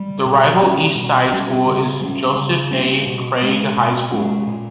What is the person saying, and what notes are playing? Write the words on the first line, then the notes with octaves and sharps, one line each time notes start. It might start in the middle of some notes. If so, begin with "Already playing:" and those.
The rival east side school is Joseph A. Craig High School.
Already playing: G3
B2
G3 C#4
B2
G3 C#4
C#3
G3 A#3 C#4
C#3
G3 A#3 C#4
B2
G#3 C#4
B2
G#3 C#4
A#2